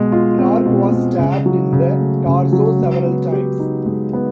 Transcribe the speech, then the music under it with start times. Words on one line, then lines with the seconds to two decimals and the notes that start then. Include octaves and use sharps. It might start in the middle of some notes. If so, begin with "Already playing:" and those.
Clark was stabbed in the torso several times.
Already playing: B2 G#3
0.12 F4
0.38 C4
0.65 B2
0.92 G#3
1.19 C#3
1.46 F#3
1.73 C#3
1.99 A3
2.26 C#3
2.53 F#3
2.79 G#3
3.06 B3
3.32 G4
3.60 D#4
3.86 G#3
4.13 B3